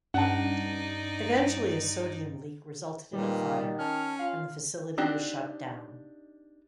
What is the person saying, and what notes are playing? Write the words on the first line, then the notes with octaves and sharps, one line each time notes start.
Eventually a sodium leak resulted in a fire, and the facility was shut down.
G2 C#4 D#4 D5 F#5 A5
A#2 D#3 G3 B4
D5
C#4 A5 F6
F4 F5
C4 D4 D#4 F#4 G4